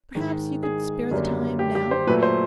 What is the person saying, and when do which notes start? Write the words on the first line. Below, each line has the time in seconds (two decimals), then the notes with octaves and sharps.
Perhaps you could spare the time now?'
0.15 G#2 D#3 G#3
0.63 G#4
1.11 F#2 D3 G3 A#3
1.59 G4
1.75 G4
1.91 C5
2.07 A#2 F#3 A3 B4
2.23 C5